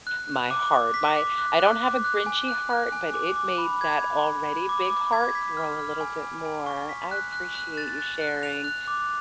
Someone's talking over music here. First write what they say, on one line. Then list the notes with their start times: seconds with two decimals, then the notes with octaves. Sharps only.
my heart. My I don't have a grinchy heart, but it made that already big heart grow a little bit more. I appreciate you sharing,
0.07 F#6
0.28 F#6
0.51 D6
0.72 D6
0.94 B6
1.16 D6
1.38 F#6
1.60 F#6
1.82 D6
2.04 F#6
2.26 G#5
2.48 F#6
2.70 F#6
2.92 G#5
3.14 D6
3.36 D6
3.58 B5
3.81 G#6
4.03 B5
4.24 B5
4.47 B5
4.69 D6
4.90 D6
5.13 G#6
5.35 B6
5.57 F6
5.79 F6
6.01 G#5
6.22 G#5
6.45 G#5
6.66 C#6
6.89 B6
7.11 F#6
7.32 F#6
7.55 F#6
7.77 A6
7.99 F#6
8.21 F#6
8.43 F7
8.64 F#6
8.88 D6